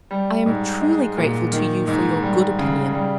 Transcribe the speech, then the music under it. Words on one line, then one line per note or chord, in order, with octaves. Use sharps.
I am truly grateful to you for your good opinion.
G3
G#2
G#3
A#2
D#3
G#2
G3
C#3
G3